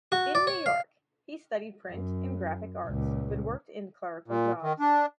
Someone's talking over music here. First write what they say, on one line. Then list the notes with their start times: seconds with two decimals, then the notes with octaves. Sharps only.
In New York, he studied print and graphic arts but worked in clerical jobs.
0.12 F#4
0.35 D5
0.47 C#5
0.66 F5
1.89 F#2
2.87 C#2 A#2
4.28 A#2
4.62 D#3
4.80 D4